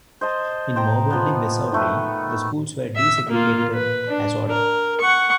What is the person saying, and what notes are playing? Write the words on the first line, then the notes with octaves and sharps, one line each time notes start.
In Moberly, Missouri, the schools were desegregated, as ordered.
C5 D#5 A5
C5 G5 A#5
F3 B3
D#3 A3 B4
E5
A#3 F4
B4
D4
A#4
F#5 C#6